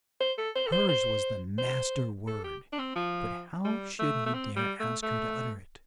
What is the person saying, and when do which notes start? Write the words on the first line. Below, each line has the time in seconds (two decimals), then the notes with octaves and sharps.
Hers was the master word, but how should he dare ask her to utter it?
0.21 C5
0.38 A4
0.56 C5
0.67 A4
0.72 C5
0.89 C5
1.58 C5
2.27 A4
2.44 G4
2.73 D4
2.79 C4
2.96 F3
3.65 G3
3.99 A3
4.26 A3
4.34 C4
4.57 G3
4.80 A3
5.03 A3